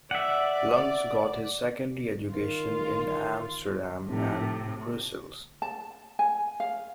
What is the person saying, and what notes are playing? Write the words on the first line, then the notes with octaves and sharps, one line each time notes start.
Luns got his secondary education in Amsterdam and Brussels.
D5 E5 F#5
D#3 F4
F1 A2 C3
A5
G#5
F5